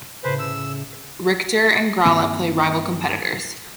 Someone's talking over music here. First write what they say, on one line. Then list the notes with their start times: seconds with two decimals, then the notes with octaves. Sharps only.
Richter and Gralla play rival competitors.
0.24 A2 C#3 B4 C5
0.39 E6
2.05 G2 D#3 A#3 C4